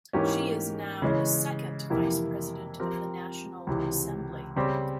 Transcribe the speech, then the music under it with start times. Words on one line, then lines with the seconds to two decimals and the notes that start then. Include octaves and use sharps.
She is now the second vice president of the National Assembly.
0.13 G#2 E3 A#3 C#4 G4
1.02 C#3 E3 G#3 C#4
1.90 F2 C3 E3 A#3 E4
2.80 F3 C4 G4 A#4
3.67 C#2 C3 E3
4.56 C#3 G3 C4 G4